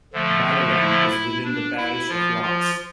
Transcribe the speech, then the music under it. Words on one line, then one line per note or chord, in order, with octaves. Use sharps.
Balallan is within the parish of Lochs.
D3 F3 A3
E4
D4
E4
F3 F4
F3 F4